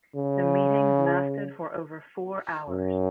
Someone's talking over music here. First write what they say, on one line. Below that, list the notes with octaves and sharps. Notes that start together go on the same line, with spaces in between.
The meetings lasted for over four hours.
C#3
F#2